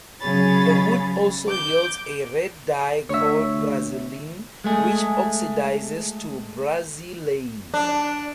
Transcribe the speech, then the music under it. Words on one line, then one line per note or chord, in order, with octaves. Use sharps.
The wood also yields a red dye called brazilin, which oxidizes to brazilein.
C#3 F#3 G#4 C#5 B5 A6
D6 G6
D2 C#5 E5
G#3 A3 G#4
D4